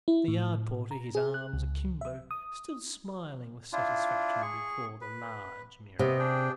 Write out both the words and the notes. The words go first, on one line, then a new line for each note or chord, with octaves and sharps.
The yard porter, his arms akimbo, stood smiling with satisfaction before the large mirror.
E4
A2
A#5
G#4
F#6
C#2
E5
D#6
D4 E4 F4
G#4 C#6
B4
C3 B3 D#5
D4 G#4 G5